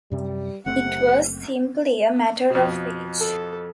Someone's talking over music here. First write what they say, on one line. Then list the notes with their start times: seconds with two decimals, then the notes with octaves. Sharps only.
It was simply a matter of age.
0.11 F#2 C3 G3
0.66 F#1 C3 A3 C4 F#5
2.50 F2 B2
3.18 A4